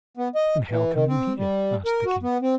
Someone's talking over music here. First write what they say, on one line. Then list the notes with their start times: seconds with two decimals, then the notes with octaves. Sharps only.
"And how come you here?" asked the king.
0.17 B3
0.35 D#5
0.70 E3
0.93 D#3
1.08 C4
1.37 G3
1.86 A#4
2.06 F#4
2.23 B3
2.42 C4